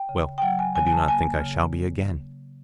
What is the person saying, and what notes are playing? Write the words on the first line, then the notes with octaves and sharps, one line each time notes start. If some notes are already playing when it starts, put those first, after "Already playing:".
Well, I do not think I shall be again.
Already playing: G5
C#3
G5
F#3 F#5
G#5
C#3 G#5
G#5
A5
A#3 G#5
C#3